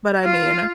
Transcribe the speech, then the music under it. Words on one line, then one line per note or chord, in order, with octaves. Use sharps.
but I mean,
F4